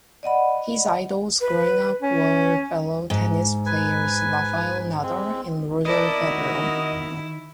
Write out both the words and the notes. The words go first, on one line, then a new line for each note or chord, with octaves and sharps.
His idols growing up were fellow tennis players Rafael Nadal and Roger Federer.
D5 D#5 F#5 B5
B4
C#4
G#2
B4 G#5
G#3 C4
E4 A#4 D5 D#5 A5
D#3 F#4 A#4